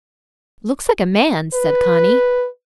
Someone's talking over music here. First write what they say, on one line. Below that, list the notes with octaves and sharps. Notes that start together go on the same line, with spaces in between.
"Looks like a man's," said Conny.
B4